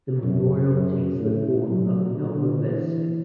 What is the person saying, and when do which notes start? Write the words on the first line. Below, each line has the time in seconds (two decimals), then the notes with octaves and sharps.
The memorial takes the form of an Obelisk.
0.23 F#2
0.72 F#2
1.20 A2
1.68 F#3
2.16 D3
2.65 E3